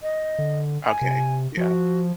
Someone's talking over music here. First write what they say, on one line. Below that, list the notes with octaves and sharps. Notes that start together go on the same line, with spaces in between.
Okay, yeah.
D#5
D3
G#5
C3
F3 F#4